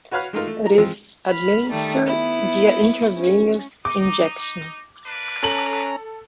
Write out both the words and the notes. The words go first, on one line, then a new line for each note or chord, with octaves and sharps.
It is administered via intravenous injection.
F#4 B4 C#5 F5 B5 F6
G#3 A3 D#4 F4 A#4
A3
A#5
F3 G#3 C4
B5 F6
D#3 G3 A3
B3 E4
C#4
D#4 D6
A#3 D4 B4
C#4 A4 A#5 F#7